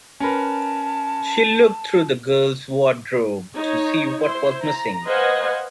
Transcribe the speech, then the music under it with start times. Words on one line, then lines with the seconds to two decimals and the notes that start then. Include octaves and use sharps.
She looked through the girl's wardrobe to see what was missing.
0.20 C#4 A#4 B4 A5
3.54 D#4 C#5
4.21 E4 C5 C6
4.64 A#5
5.06 B4 C5 D#5 F5 F#5 G#5